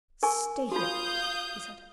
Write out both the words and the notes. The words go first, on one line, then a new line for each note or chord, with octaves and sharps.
"Stay here," he said.
A#4 G#5 C#6
F4 F#4 F5 D#6 G6